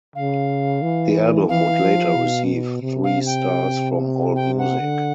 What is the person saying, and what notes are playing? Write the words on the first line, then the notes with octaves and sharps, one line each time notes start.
The album would later receive three stars from Allmusic.
C#3 F5
E3
E3 F5
F3
B2
C3
F5
G5
G5
F#5
D3